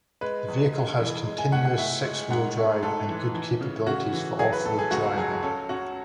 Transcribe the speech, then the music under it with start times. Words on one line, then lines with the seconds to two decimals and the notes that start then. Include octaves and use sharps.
The vehicle has continuous six wheel drive and good capabilities for off-road driving.
0.21 G#3 B4
0.48 E2
0.74 G#3
1.00 E3
1.26 G#3
1.38 G#5
1.52 A2 F#5
1.65 F#5
1.78 A2 E5
2.04 G#3
2.30 G#2 F#5
2.57 A3
2.83 G#2 A4
3.08 E3
3.35 E3
3.61 C#3
3.86 C#3 F#4
4.13 E3
4.39 F#3 G#4
4.53 B4
4.65 A3 A4
4.79 G#4
4.91 C#2 F#4
5.17 F#3 G#4
5.43 C#4 A4
5.69 C#4 F#4